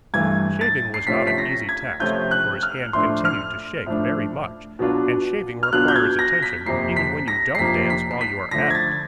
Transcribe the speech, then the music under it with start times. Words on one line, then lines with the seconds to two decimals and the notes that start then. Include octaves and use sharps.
Shaving was not an easy task, for his hand continued to shake very much; and shaving requires attention, even when you don't dance while you are at it.
0.14 G2 E3 A3 G#6
0.61 A6
0.94 C7
1.07 C3 F3 A3 C#4 F4 B6
1.27 B6
1.38 A#6
1.69 G#6
2.00 C3 F3 A3 C#4 F4 G6
2.31 F#6
2.63 F6
2.93 A2 F3 A3 D4 C6
3.25 F6
3.86 A2 F3 A3 D4
4.79 B2 F#3 B3 D4 F4
5.63 F6
5.73 B2 F#3 B3 D4 F4 F#6
5.88 G6
5.96 G#6
6.19 A#6
6.43 B6
6.66 F2 C3 F3 A#3 C7
6.96 B6
7.28 A#6
7.55 C7
7.58 F2 C3 F3 A#3 B6
7.90 B6
8.11 C7
8.21 B6
8.51 D3 F3 A3 D4 A#6
8.70 G#6
8.75 A6